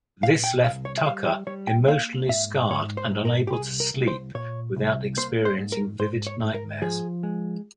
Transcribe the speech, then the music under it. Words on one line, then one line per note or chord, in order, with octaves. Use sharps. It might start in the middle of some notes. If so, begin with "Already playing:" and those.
This left Tucker emotionally scarred and unable to sleep without experiencing vivid nightmares.
A#2 F5
G5
C2 F5
C#5
E5
G3 F5
G5
G3 C#5
G5
A#3 F5
G#2 E5
G#2 C#5
C5
G#2
A#4
G4
C2 G#4
A#4
C2
C5
A#2 C#5
C2
A#3 C5
C5
G#2
A#4
G#2 C5
C#5
G#2
A#4
F3 G#4
G#3